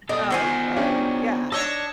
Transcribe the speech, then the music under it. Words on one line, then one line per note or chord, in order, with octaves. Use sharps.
Oh, okay. Yeah,
B2 A4 D5 D#5 D#6
D#3 B3 F4 F#4 C5 G#5
C#4 D4 G4
D4 C#5 D#5 A5 E6